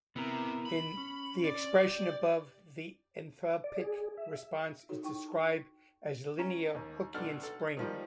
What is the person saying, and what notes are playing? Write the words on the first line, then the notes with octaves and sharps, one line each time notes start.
In the expression above, the enthalpic response is described as a linear Hookian spring.
C3 B3 E4 A#4
B5
C#4
D5
G4
D5
G#4
E5
D#4 F#4 G#4 A4 C#5
D#4 E4 G5 C#6
C#4 A#5
D#2
B1 D4 A4 F6
A4
D#3 F3 G3